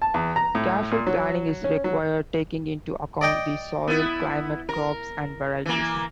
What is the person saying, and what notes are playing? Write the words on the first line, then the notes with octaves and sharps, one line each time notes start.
Careful planning is required, taking into account the soil, climate, crops, and varieties.
A5
E2
A#5
A2
A#2
F#3
C#4
F#3
D5 D#5 G5
B3 E4
A#4
E3 A#3